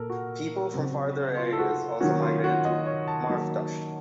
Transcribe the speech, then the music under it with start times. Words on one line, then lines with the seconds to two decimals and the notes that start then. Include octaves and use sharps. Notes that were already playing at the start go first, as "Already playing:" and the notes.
People from farther areas also migrated to Marvdasht.
Already playing: A#2 A#3 A4 A#4
0.10 F#4
0.73 C#3 F#3 C4
1.37 F4
1.53 A4
1.59 F#4
2.01 D#3 F#3 A#3 C#4 F#4
2.22 F4
2.44 F#4
2.65 D#5
2.86 C#5
3.08 A5
3.29 D#3 F#3 A#3